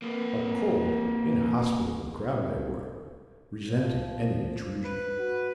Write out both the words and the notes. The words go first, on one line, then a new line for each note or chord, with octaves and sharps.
A cold, inhospitable crowd they were, resenting any intrusion.
A#3 B4
F3
B4
F#4